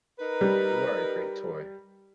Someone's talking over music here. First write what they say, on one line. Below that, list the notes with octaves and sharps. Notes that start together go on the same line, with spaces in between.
You are a great toy!
D#4 A#4 B4
G3